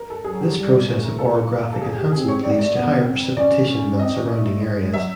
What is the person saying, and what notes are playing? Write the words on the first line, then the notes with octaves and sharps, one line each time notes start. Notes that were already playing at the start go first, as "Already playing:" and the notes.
This process of orographic enhancement leads to higher precipitation than surrounding areas.
Already playing: A#4
A4
F#3 G#4
G4
G3
A3 G#4
A#4
A#3 A4
A4
G#4
G4
C4 G#4
C#5
C4 D5
G#3
D5
A3
B3
C4
C#4 D5
C#4
C4 D#5
C#4
A3
G#3
F#3 E5